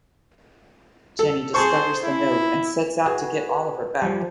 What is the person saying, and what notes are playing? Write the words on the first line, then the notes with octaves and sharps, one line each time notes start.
Jenny discovers the note and sets out to get Oliver back.
A4
G#4 C5 A5 C#6
E4
F#4 G#4 B4
F3 G3